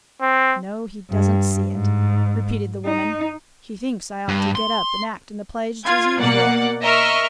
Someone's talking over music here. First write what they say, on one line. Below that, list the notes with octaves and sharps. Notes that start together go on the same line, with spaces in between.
'No; he doesn't see it,' repeated the woman; 'he thinks I ought to get up and act in the play, just as usual.
C4
G2
G#2
D#4
G2
C6
F4 G#6
B2 A#3 D5 F#5
A#4 D#5 E5 C#6 F6